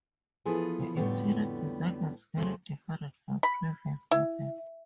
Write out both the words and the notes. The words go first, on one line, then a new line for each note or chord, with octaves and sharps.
The interior design was very different from previous models.
E3 F3 B3 G#4 A4 B4
F2 A2 D3 G3 B3 C#5
F2 C#3 F3 A3
B5
E4